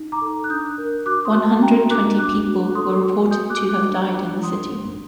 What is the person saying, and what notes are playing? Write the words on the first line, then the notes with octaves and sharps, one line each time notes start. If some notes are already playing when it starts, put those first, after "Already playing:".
One hundred twenty people were reported to have died in the city.
Already playing: D#4
A#5 D6
A4
F#6
D4 D#6 G6
A#4
F#4 D6 F#6
C6 D#6
F#4
A5 C6
F#4 G5 A#5
D4 D6 F#6
D4 D6 F#6
F#4
A4 C6 D#6
F#4
F#4 D#6 G6
D6 F#6
F#4
D6 F#6
D4
D4
D4 C6 D#6
D4